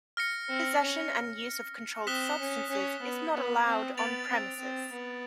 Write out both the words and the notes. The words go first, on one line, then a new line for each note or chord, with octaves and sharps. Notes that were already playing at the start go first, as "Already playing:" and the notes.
Possession and use of controlled substances is not allowed on premises.
F6 A#6 C#7
C4
C#4
C4 D#6 F#6 B6 E7 G7
C#4
C#4
B3
B3
C4
B3 A6 D7 F7
C4
C4
B3